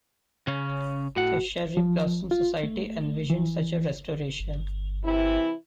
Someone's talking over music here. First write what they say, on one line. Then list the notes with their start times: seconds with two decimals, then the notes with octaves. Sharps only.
The Cherry Blossom Society envisioned such a restoration.
0.47 C#3 C#4
1.16 A2 F#4 F#5
1.77 F3
2.31 F4
2.63 A3
3.30 E3
4.40 G1
5.04 C3 E3 E4